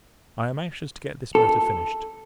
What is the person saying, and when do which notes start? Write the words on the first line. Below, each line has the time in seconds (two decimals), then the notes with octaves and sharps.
I am anxious to get this matter finished.
1.35 A4